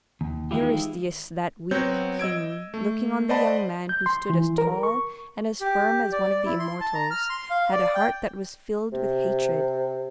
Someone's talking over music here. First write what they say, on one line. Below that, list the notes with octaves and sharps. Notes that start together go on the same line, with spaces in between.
Eurystheus, that weak king, looking on the young man who stood as tall and as firm as one of the immortals, had a heart that was filled with hatred.
D#2
D#3 E3 G#3 E4 F4 G4
F#3 B3 C4 C#5 G6
D#5 E6 G#6 D7
A3
C5 D5 D#5 F#5 A5 B5
G6
C6
E3
A#4
C#6
G4
D5
D5
E4
C6
A5
A#5
F6
C6
F5
D5
G5
C3